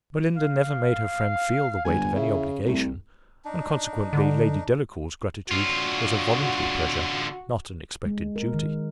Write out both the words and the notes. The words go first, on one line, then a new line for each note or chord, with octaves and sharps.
Belinda never made her friend feel the weight of any obligation, and consequently Lady Delacour's gratitude was a voluntary pleasure--not an expected duty.
F5
G1 G#5
C#3 E4
C2 A3
D4 D#4
D3
D3 F4 F#4
G#3
A#4
D#3